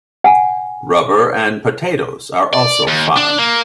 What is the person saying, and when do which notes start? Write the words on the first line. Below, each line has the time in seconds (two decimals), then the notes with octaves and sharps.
Rubber and potatoes are also farmed.
0.24 F#5 G#5
2.53 D5
2.87 D#2
3.16 D4
3.39 A#3